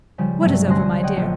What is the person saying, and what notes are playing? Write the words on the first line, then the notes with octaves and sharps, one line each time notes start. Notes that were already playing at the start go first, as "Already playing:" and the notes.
"What is over, my dear?"
C#3 F3 G3
G2 C3 F#3 A3
C2 D3 C#4 C6 F#6 A#6
C#5 D#5 F#5 G5
A#1